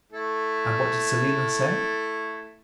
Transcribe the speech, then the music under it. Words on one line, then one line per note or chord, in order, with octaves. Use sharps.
And what did Selina say?
A3 E4 A4